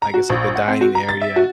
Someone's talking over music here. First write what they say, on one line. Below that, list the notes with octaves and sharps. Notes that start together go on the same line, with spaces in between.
I guess, like, the dining area
A#5
F#4
A#1
F#5
C4
F#4
A#5
A6
E5
F#4